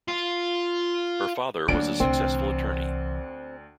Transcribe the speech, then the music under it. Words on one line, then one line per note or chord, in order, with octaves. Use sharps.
Her father was a successful attorney.
F4
D2 F#3 A#3 D4 D7
C2 E3 C4